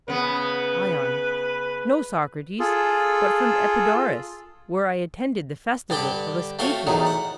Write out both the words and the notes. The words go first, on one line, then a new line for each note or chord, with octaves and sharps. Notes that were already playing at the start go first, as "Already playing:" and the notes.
ION: No, Socrates; but from Epidaurus, where I attended the festival of Asclepius.
C#3 B3 B4
F4 G#4 A4
G2 D3 D4 G4 G5
A3 C4 F4 F#4 A4 C#5
A1 E2 D#3 F#3 A3
F#5